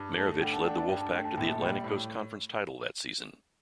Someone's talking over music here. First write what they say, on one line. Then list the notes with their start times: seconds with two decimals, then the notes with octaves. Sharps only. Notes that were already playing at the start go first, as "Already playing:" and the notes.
Maravich led the Wolfpack to the Atlantic Coast Conference title that season.
Already playing: G2
0.18 A3 A5
0.41 D3 G5
0.53 A5
0.65 D4 G5
0.77 A5
0.89 G2 G5
1.01 A5
1.13 A3 G5
1.25 A5
1.37 A#1 G5
1.49 A5
1.61 G3 G5
1.84 A2